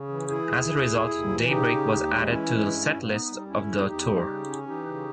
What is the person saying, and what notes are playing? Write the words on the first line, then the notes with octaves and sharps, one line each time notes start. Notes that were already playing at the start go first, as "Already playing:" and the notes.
As a result, "Daybreak" was added to the set-list off the tour.
Already playing: C#3
E3
E3 E4 G#4
D#2
D#2
D#2
D#2
E3
C#3 D#4 G4
C#3
D#2
G#3
E3 C#4 E4
G#3
G2
G2
B3 D#4
G3
E2 C#4 E4
E2
G#4
E2 D#4 G4
G3
C#3
C#4
E3 D#4 G4
C#3